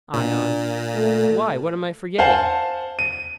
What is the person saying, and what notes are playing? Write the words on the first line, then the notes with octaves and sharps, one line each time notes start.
ION: Why, what am I forgetting?
A#2 D4
A3
C5 F5 F#5 G#5 A5
D#7